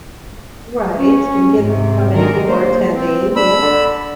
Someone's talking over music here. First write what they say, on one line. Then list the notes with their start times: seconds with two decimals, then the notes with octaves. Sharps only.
Right, and get how many people are attending yeah.
0.96 C#4
1.58 G#2 C3
2.15 D3 D#3 G#3 A#4
2.46 A#3 C5
2.94 C4
3.36 D4 B5 E6
3.62 D3